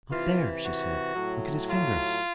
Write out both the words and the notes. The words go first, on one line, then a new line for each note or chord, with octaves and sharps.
"Look there!" she said; "look at his fingers!"
C3 E3 F4
F#4
A2 F#3
F4